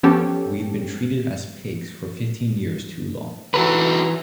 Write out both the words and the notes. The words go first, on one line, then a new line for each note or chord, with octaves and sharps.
We’ve been treated as pigs for fifteen years too long.
F3 B3 C#4 G4 A4
E3 F#4 A4 B4 A#5 B5